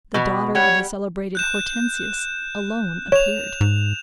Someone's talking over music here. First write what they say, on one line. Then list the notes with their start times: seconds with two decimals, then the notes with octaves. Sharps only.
The daughter of the celebrated Hortensius alone appeared.
0.14 B2 B3
0.55 G3 C#5 F#5
1.35 F#6 G6 E7
3.12 C#5 E7 F7
3.61 G#2